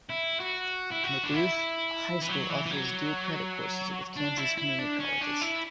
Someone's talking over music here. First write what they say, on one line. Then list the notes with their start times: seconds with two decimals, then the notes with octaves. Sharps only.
McLouth High School offers dual credit courses with Kansas community colleges.
0.09 E4
0.40 F#4
0.92 E4
1.04 F#4
1.24 D4
1.34 E4
2.22 E3
2.28 F#3
2.50 E3
2.66 E3
2.71 F#3
4.17 D4
4.37 E4
4.58 E4
4.79 D4
5.00 C#4
5.21 D4
5.41 E4